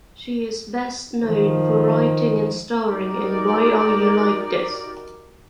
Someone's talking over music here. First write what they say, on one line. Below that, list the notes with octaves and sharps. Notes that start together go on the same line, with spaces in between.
She is best known for writing and starring in "Why Are You Like This".
D#3 F3
D#4 F#4 G4 A#4 D5